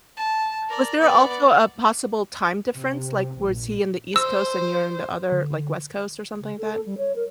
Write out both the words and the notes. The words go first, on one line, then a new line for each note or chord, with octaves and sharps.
Was there also a possible time difference? Like, was he in the East Coast and you're in the other, like, West Coast, or something like that?
A5
A#4 D5
B3 D5
C3
A#1
C5 E6
D3
C#3
A4
A4
G3
C#5
A#4